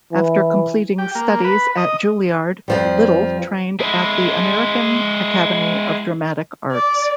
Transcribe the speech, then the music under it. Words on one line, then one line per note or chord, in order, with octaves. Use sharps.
After completing studies at Juilliard, Little trained at the American Academy of Dramatic Arts.
E3
G4
A#3
B4
D#5
F2 F3 G3
G#3 E4
D5